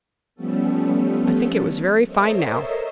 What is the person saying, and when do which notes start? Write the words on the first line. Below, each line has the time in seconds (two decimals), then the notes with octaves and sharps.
I think it was very fine now.
0.35 F3 G3 A3 B3 C#4 A4
2.06 A4 A#4 C5 C#5 D#5 E5